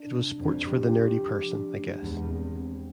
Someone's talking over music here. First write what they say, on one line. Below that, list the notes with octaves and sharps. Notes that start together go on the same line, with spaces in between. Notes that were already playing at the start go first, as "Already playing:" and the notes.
It was sports for the nerdy person, I guess.
Already playing: D4
C3
F2 D4
G4
G4
F3
D4
A3
E2 G#3
C4
C4